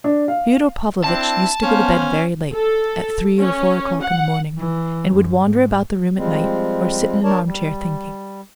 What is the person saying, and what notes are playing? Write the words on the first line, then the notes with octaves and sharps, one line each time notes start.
Fyodor Pavlovitch used to go to bed very late, at three or four o'clock in the morning, and would wander about the room at night or sit in an arm-chair, thinking.
D4
F5
C4 D4 E4 A5
B3 C#4 C5 F5
A4
C#4
F#5
E3
F#2
G#2
F3 G3 G#3 C4
D4 A#4 C#5 D5 A5
G3